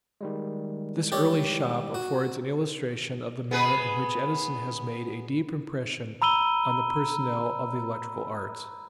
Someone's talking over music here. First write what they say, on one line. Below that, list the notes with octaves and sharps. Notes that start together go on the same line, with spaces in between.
This early shop affords an illustration of the manner in which Edison has made a deep impression on the personnel of the electrical arts.
D#3 G3 G#3
G4 C#5 D5
F#4
B3 G#4 B4
A#5 B5 E6 D#7 G7